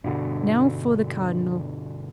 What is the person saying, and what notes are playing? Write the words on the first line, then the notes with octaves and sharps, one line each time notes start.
Now for the Cardinal.
G2 B2 D3